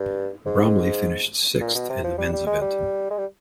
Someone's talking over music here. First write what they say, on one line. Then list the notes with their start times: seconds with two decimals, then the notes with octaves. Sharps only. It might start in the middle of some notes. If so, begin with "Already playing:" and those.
Bromley finished sixth in the men's event.
Already playing: G2
0.46 G#2
1.61 A#2
1.75 B2
1.90 C3
2.04 F3
2.18 G3
2.33 G3
2.47 G#3
2.61 G3
3.10 G#3
3.18 G3